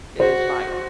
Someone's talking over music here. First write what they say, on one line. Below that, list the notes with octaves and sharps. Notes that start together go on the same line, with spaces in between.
Is vital.
F#4 C5